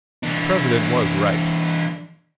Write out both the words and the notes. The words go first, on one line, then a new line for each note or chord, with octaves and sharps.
The president was right.
E3 D4